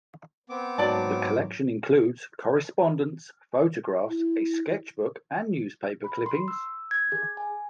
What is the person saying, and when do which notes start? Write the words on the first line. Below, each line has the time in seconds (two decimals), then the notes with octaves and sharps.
The collection includes correspondence, photographs, a sketchbook, and newspaper clippings.
0.50 B3 C4 D6
0.78 G#2 F#3 D5 A5
4.09 E4
6.04 B5
6.26 C6
6.48 E6
6.61 E6
6.91 G#6
7.12 G#4
7.37 G#5